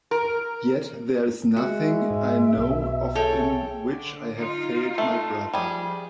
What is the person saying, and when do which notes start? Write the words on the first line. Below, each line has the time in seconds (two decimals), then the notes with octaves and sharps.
Yet there is nothing I know of in which I have failed my brother.
0.11 A#4
1.57 G#3 F#4 E5
2.11 G#2
2.57 B1 B2
3.15 G#4 A4 C#5 G5
3.88 D3
4.37 D#4 F4
4.98 A3
5.53 F3 G3 G#4